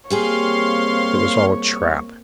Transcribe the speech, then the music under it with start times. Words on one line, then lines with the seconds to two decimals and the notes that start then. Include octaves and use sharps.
It was all a trap.
0.10 G3 A#3 C4 G4 G#4 C#5 F5 C6